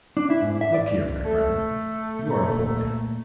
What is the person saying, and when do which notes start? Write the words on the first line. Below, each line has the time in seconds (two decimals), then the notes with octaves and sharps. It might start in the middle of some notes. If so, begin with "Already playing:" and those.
'Look here, my friend, you are a poor man.
0.17 D4
0.30 E4
0.42 G#2
0.61 E5
0.74 D5
1.25 A3
2.27 A#2 A#5